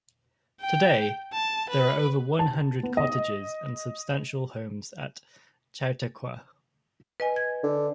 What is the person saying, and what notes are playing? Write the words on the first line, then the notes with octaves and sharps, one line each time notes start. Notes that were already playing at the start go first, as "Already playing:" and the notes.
Today, there are over one hundred cottages and substantial homes at Chautauqua.
G5
A5
B4
A5
B3
D#5
B4 D#5 G#5
G#6
D3